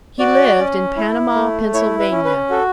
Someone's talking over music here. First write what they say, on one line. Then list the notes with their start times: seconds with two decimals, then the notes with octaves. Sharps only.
He lived in Panama, Pennsylvania.
0.19 F#4 D5
0.59 C#4
0.96 E4
1.35 A3
1.74 E4 C#5
1.99 B4
2.12 C#4
2.25 B4
2.50 F#4 A4